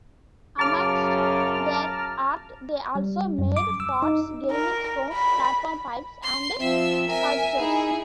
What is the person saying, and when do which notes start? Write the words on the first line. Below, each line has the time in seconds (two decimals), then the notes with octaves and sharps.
Amongst their art they also made pots, gaming stones, platform pipes, and sculptures.
0.59 F#2 C#3 A5 A#5 D6 F6
2.95 G3
3.39 F#2
3.57 D6
3.80 E6
4.02 D#4
4.51 A#4
5.13 B5
6.23 C6
6.59 F3 C4 E5 E6
7.07 A#4 E5 G#5
7.58 D#4 E4 G#4